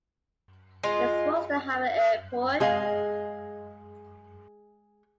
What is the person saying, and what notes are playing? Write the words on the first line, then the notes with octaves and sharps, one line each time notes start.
Does Rostock have an airport?
G#3 F4
G#3 G#4 D#5 F5